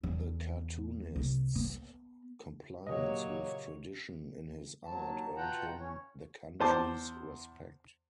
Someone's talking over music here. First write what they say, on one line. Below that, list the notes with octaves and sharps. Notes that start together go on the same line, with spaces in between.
The cartoonist's compliance with tradition in his art earned him the country's respect.
E2
C2
B3
A#2 C#3 F#3 A#3 G4 C#5 D#5
D#2 F#3 A5
B2 F4 F#5 G5 A5 A#5
C#4 C#5
E2 C5 A5 D6